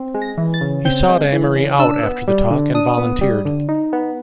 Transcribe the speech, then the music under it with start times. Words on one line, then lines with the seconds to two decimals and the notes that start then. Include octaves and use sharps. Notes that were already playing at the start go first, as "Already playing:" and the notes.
He sought Amory out after the talk and volunteered.
Already playing: C4
0.14 G#3
0.22 A#6
0.38 E3
0.54 A6
0.61 C#3
0.85 C4 G6
1.08 G#3
1.33 E3
1.56 C#3
1.79 D4 E6
2.03 B3
2.28 G3
2.50 D3
2.74 D4 D#6
2.98 B3
3.21 G3
3.45 D3
3.69 D#4
3.93 B3